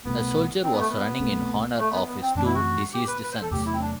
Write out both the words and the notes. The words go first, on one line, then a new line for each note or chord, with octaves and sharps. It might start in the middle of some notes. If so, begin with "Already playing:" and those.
A soldier was running in honor of his two deceased sons.
C2 B2 A3 B3
C4
B3
A3
B3
C2 B2 A3 C4
A3
B3
B3
C4
F#2 E3 A3 C4 D4
E4
F#4
G4
B4
B4
C5
A4
E2 C3 F#3 A3 G4
E4
C4
D4